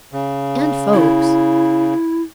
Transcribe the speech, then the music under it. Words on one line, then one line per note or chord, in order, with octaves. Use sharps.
And folks.
C#3
E4